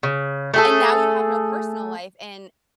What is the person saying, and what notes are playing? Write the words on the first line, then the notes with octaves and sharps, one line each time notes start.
And now you have no personal life and
C#3
A3 G#4 A4